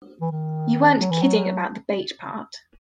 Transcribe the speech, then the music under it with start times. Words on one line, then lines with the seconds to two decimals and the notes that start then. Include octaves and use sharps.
You weren't kidding about the bait part.
0.21 E3
0.31 D#3
0.99 F#3
1.10 E3
1.22 F#3